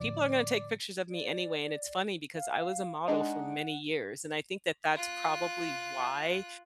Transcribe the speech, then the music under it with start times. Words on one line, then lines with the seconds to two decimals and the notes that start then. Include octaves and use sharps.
people are gonna take pictures of me anyway," and it's funny because I was a model for many years and I think that that's probably why,
0.01 A2 D3 F3 D5
1.10 D5
2.36 F5
3.08 G#3 D4 D#4 F#5
4.95 F4 F#6